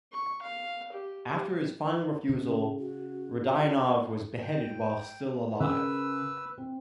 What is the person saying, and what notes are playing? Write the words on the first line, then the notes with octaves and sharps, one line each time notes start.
After his final refusal, Rodionov was beheaded while still alive.
C#6
F5
G4
G4
C#3
F#4
G5
C#3 A#4 B4 E6
C4